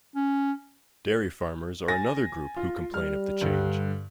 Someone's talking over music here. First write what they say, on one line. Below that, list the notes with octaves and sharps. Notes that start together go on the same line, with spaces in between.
Dairy farmers are another group who complain of the change.
C#4
G#5 A6 A#6
F4
G3 F6
G2 D3